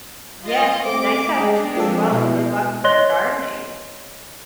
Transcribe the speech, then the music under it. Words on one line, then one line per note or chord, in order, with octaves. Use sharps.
Yes, nice talking to you as well, and good luck with your gardening.
F4 D#5
A3 C4 D6
G#3 D4 G4 G#4 D#5
F3 C4 A4
B2 G#3 E4
C#5 D#5 C6 F#6 A#6 G7